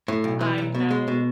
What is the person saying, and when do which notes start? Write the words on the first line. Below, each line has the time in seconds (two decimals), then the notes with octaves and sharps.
I know.
0.08 A2
0.24 B1
0.41 E3
0.58 B1
0.75 B2
0.91 G#3
1.08 B2